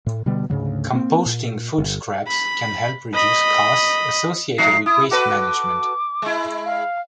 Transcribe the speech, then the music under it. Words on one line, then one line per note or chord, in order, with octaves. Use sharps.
Composting food scraps can help reduce costs associated with waste management.
A2
B2 D3 G3 B3
D2 G#2 C#3 F#3
A#3 C4
A#2
G1
B5
D#5 B5
F3 A3 D#4 C7
E4 D#6
F#4 A4 B4 D6
G#3 E4
F5